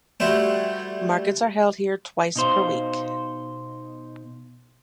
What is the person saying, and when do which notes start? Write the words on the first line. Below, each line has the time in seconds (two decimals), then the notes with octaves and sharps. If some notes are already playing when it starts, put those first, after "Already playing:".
Markets are held here twice per week.
0.20 G3 A3 E4 F#4 C5 E5
2.36 B2 D#4 C5 F5